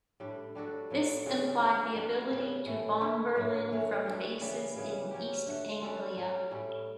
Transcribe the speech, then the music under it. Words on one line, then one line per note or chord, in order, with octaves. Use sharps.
This implied the ability to bomb Berlin from bases in East Anglia.
A2 G3 D4
G3 D4 F#4 A4
A2 F#3 B3
C#3 G3 C#4 F#4
E3 G3 B3 D4
G3 B3 D4 F#4
C#3 G3 B3
A2 E3 A3
D3 A3 E4
A2 F#3 A3
E3 A3 C#4
G3 D4 F#4 A4
C#3 E3 G3 B3
C#3 E3 B3
F#3 C#4 G4
D3 A3 D4
G3 C#4 F#4 A4
F#3 C#4 G4
A2 G3 C#4